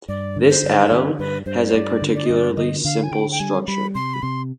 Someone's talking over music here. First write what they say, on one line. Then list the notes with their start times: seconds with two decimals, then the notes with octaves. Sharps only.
This atom has a particularly simple structure.
0.08 G2 D5
0.36 D3
0.49 C5
0.64 G2
0.86 G#4
0.91 D3 B4
1.19 G2 B4
1.46 G2 C5
1.67 C5
1.74 G2 D5
2.02 D3
2.15 D5
2.26 G2 D#5
2.36 D5
2.57 D3 D#5
2.85 D3 F5
3.03 G#5
3.11 D3 G5
3.31 G5
3.40 G3 G#5
3.67 G3 B5
3.95 C3 C6
4.14 B5
4.22 C3 C6